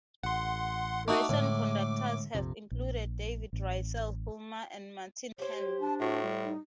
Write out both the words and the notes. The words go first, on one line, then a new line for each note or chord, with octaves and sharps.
Recent conductors have included David Russell Hulme and Martin Handley.
A1 F#5 C6
A3 D#4 F#4 D6
A2 D3 G#3 A3
A#1 F2 C3
A#1
A1
G4 C5 C#5
C#5
D4 A5
A2 F#4
G3
D#4